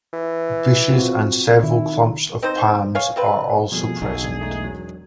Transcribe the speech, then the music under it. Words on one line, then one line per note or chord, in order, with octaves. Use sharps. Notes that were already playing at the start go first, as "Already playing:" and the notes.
Bushes and several clumps of palms are also present.
E3
C4 F4 F#4
D#3 E4
C4 D#4 C5
C#5 F5 G#5
C3 C4 B4
F2 B2 F3 G3 A3 G#4
B1 D#4 F#4 A4
E1 D5 G#6
A3 D#4
F#3